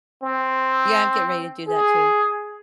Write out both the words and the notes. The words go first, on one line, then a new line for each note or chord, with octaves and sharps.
Yeah, I'm getting ready to do that too.
C4
G#4